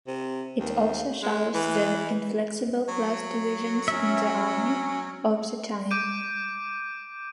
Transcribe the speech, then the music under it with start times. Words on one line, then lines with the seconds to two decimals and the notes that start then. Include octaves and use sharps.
It also shows the inflexible class divisions in the army of the time.
0.08 C3
0.60 D#2
1.23 G#3
1.54 E3
2.88 F#3
3.88 C#4 E5
5.91 D6 G6 D7 D#7